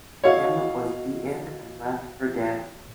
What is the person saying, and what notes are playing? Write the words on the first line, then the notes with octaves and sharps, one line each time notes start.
Kim was beaten and left for dead.
F#4 A4 C#5 D#5 F5